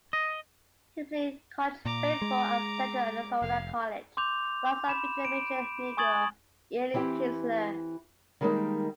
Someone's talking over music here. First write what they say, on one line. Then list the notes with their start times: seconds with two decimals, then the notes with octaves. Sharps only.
He played college baseball at Central Arizona College, alongside future major leaguer Ian Kinsler.
0.13 D#5
1.85 A#2 A#5 D6
2.22 G#3
3.42 F1 F5
4.17 C6 D6 G6 F7
4.88 B5 E7
5.25 D7
5.97 G#5 C#6 D#6 G#6 A6 F#7
6.94 E3 C4 E4 G4
8.41 D#3 G3 G#3 A#3 C#4 D#4